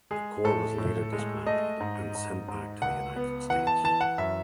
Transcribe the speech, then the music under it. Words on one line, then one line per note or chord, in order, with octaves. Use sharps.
The core was later dismantled and sent back to the United States.
G#3 G#4
A2 A4
A2
G#3
A3 D#5
G#2
G#2
G#2
C#2 F#5
B3
E3 F#5
A5
E3 A5
F#5
F#2 E5